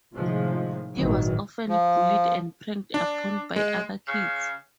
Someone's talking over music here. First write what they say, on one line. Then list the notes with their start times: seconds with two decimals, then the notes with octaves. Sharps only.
He was often bullied and pranked upon by other kids.
0.14 A2 C3 D#3 F3 G#3
0.95 G#1 A#2 D#3 E3 F#3
1.69 F3
2.94 D4
3.56 G#3
4.08 C#3